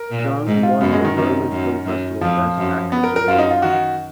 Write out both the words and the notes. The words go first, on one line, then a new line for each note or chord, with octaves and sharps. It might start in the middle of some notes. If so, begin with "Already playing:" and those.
Cheung won the Berlin Film Festival Best Actress award.
Already playing: A#4
A#2
G#2
F4
F#2 B3
G#3
D#3
F#2 D#3
F#2
F#2
F2 F3
F#2
B3
A#4
A#4
F#2 F4
D#4
F4
D#3 F#4